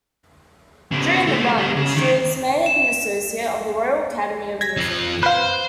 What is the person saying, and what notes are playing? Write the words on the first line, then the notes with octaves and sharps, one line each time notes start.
During the run, she was made an Associate of the Royal Academy of Music.
C#3 B3
G#3 A3
G3 B3
C#3
D#3 G#3
E7
G#6 A#6 B6
F2 F3
B4 C5 F5